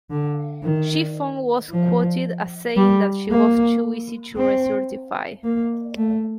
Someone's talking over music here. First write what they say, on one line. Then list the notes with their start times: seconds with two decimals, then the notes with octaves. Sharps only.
Chief Fong was quoted as saying that she was too busy to recertify.
0.10 D3
0.64 D#3
1.71 F3
2.77 G3
3.30 A#3
4.37 C4
5.44 A#3
5.97 A3